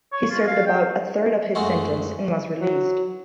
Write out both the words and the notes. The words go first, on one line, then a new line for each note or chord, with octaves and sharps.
He served about a third of his sentence and was released.
C#5
F4
F5
G5
F#2 G#3 A3 F#4 F5
F#3